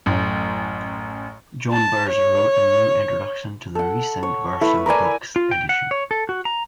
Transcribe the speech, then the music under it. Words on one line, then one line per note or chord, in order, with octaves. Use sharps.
John Berger wrote a new introduction to the recent Verso Books edition.
A1 F#2 A2
A5
C#5
A4 F#5
C#5
A3 E4 A4 B4
A#4 B4 D5 G#5
F4
G5
F#5
C#5
A4
F#4
A#5